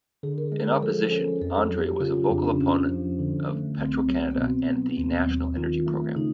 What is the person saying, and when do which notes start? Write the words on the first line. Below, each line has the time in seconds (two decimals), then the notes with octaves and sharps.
In opposition, Andre was a vocal opponent of Petro-Canada and the National Energy Program.
0.23 D3 G#4
0.38 A#4
0.52 G#3 A#4
0.68 G#4
0.82 F3 A4
1.11 C#4 A4
1.41 F2 A4
1.61 G#4
1.70 F#3
1.81 G4
2.00 C#3 F4
2.30 F2 D4
2.45 C#4
2.60 F2 C#4
2.89 F3
3.19 D3
3.49 A3
3.78 C2 C4
4.08 F#3
4.31 B3
4.37 B2 C4
4.68 B3
4.97 D#2 C4
5.27 F#3
5.56 D#3 F4
5.86 A3
6.16 C#3 D#4